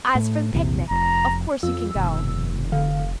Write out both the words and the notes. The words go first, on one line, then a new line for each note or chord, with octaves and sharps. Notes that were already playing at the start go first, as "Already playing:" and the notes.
As for the picnic, of course you can go.
A2
A#1 E2 C3
F1 A#5
F2 F4 E6
F1 G2 B2 D#3
D3 F5